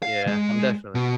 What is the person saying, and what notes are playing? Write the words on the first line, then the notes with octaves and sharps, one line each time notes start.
Yeah, I'm definitely
F5
G#3
B2